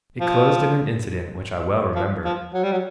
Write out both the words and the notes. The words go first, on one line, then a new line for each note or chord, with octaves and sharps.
It closed in an incident which I well remember.
F3
F3
F3
F#3
G3
F#3